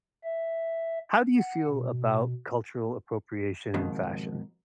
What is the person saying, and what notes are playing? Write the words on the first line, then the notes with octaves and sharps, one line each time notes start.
How do you feel about cultural appropriation in fashion?
E5
F#5
B2
F2 G#2 B2 D#3